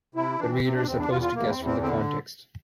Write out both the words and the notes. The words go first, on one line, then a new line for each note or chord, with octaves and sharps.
The reader is supposed to guess from the context.
C3 E4
E3 D4
C4
C3 C4
D4
E2 C4
D4
E2 F4
F4
E2 A#3
C4
E2
C4
D3 C4